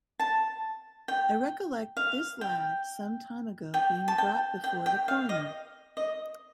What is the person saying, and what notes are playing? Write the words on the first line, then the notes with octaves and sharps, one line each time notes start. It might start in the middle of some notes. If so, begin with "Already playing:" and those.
I recollect this lad some time ago being brought before the coroner.
A5
G5
F5
G5
G5
A5
G5
G5
G5
F5
D#5
D#5